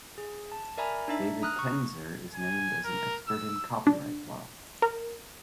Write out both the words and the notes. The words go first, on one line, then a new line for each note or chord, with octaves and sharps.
David Kenzer is named as an expert in copyright law.
G#4
A5
A#4 D5 E5 G#5 A#5 B5
D4 D#4 E5
A#5 D#6 F6 F#6
C#6
G#5
A#4
E6
D4
A#4